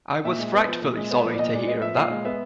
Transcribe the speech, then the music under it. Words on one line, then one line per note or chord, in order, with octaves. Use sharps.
I was frightfully sorry to hear of that.
A#2 E5
G#3
B3
F3
A#2
G#3
B3
F3
D5
A#2 D#5
G#3 D5
B3 D#5
F3 E5
A#2 F5
G#3
B3 E5